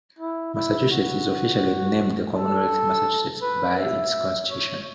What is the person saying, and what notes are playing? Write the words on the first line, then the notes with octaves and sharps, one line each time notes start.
Massachusetts is officially named "The Commonwealth of Massachusetts" by its constitution.
E4
E4
F#4
A4
B4
E5
C#5